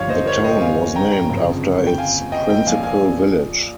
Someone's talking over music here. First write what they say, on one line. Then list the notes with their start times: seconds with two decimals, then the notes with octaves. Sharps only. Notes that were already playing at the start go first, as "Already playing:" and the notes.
The town was named after its principal village.
Already playing: G1 G2 F3 C#5 F5
0.09 C5 D#5
0.26 A#4 C#5
0.44 C5 D#5
0.61 F5 G#5
0.96 G5 A#5
1.12 G5 A#5
1.29 G1 F2 C#3 F3
1.87 G5
1.98 F5 G#5
2.32 D#5 G5
2.49 D#5 G5
2.67 A#1 A#2 F3 F5 G#5
2.83 F5 G#5